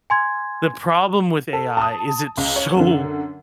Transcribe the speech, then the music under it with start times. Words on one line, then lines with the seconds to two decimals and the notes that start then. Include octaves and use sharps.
The problem with AI is it's so
0.10 G#5 C6 G#6
1.53 A4
1.77 A5 D#6
2.37 C#2
2.56 C#5
2.75 F#2 D3